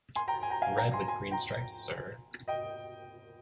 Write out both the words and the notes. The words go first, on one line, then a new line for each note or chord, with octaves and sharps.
Red, with green stripes, sir.
G#5 C6
G5 A#5
G#5
G5 A#5
F5 G#5
G5 A#5
G#5 C6
G#5 C6
G5 A#5
D#5 G5